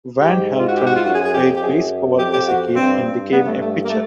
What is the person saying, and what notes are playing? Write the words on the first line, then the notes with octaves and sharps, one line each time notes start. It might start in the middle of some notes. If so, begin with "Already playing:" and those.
Van Haltren played baseball as a kid and became a pitcher.
G#2 G4
F4
F#4
G4
F#4
F4
F#2 F#4
G#4
G#4
F2 G4
G4
F#2 G#4
F2 G4
G4
F2 F#4
G2 C4
G2
G2 B3
A3
A3
A#3
A3